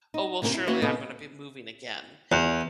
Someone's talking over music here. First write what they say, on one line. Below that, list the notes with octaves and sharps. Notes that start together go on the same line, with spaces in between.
"Oh, well surely I'm gonna be moving again,"
D#4
C3 A#3 C#4 G4 A#4
E4
A#3 C#4 F#4 B4 E5 F5
C3 B3 D#4 A4
E2